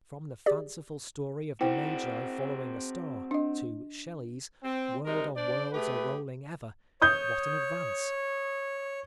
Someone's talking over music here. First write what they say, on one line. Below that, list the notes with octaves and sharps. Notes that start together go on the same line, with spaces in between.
From the fanciful story of the Magi following a star to Shelley's "World on worlds are rolling ever," what an advance!
G4 G#4 D5
C4 E4 F#4 C5 G5
D4 D#5
C4
C3 G3 G#3 D#4 A#4
D4 C5 D5
A3 G4 G#4 B4
C#5 D#6 G6